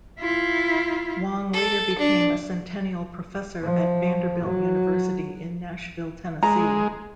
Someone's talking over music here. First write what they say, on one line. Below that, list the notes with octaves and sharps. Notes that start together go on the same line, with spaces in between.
Wang later became a Centennial Professor at Vanderbilt University in Nashville, Tennessee.
E4 F4
A4
D4
F3
F#3
G#3 A#5